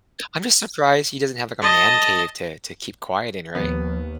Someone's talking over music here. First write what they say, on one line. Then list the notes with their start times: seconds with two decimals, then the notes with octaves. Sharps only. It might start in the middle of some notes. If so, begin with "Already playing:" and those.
I'm just surprised he doesn't have, like, a man cave to to keep quiet in, right?
1.62 D#5 A5
3.55 D#2 F3 B3